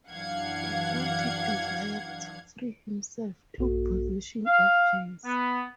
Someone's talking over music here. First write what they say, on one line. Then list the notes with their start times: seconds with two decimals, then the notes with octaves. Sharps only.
A frantic desire to free himself took possession of James.
0.11 F#2 E3 D4 F5 F#5 G#6
3.58 A#1 G2 A#3 F#4 A4
4.47 F5
5.25 B3